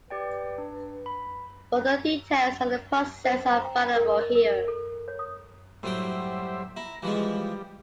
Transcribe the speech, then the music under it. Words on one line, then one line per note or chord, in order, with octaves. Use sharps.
Further details on the process are available here.
G4 B4 D5 G5
D4
B5
C5
A#5
G5
A#4
D#5
A#4
A4
C#5
D#6
A2 F#3 G3 C5 E5 G5
E4 A#5
E3 F3 G3 G#3